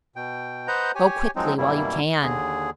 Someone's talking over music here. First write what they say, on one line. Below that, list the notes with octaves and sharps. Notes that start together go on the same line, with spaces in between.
"Go quickly, while you can!"
B2 G5
B4 C5 D#5 F#5 A#5 G6
G4 C#5 G#5
F3 F#3 G#3 C4 D#4
F#2 B2 G3 A#3 E4
D#2 D3 G#4